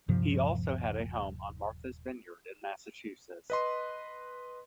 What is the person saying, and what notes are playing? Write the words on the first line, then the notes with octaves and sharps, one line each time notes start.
He also had a home on Martha's Vineyard in Massachusetts.
D#1 G2 C3 F3
B4 D#5 C6